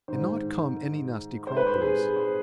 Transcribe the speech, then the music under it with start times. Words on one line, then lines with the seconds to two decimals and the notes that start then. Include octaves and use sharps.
"And not come any nasty croppers."
0.08 G#2 D#3 C5
1.47 C5
1.57 B4
1.67 C5
1.82 G#4
2.16 C5